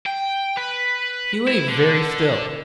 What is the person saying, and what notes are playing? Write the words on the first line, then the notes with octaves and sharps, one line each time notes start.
He lay very still.
G5
B4
E4
D3